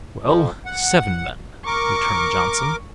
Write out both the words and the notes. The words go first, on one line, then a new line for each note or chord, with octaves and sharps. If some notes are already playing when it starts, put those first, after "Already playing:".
"Well, seven then," returned Johnson.
F2 F3
F#5
A#4 C#6 D6